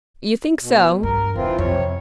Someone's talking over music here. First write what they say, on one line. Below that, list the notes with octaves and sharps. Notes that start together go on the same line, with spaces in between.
"You think so?"
B2
G2 A#4
E1 E3 C4 F4
F2 C3 C#5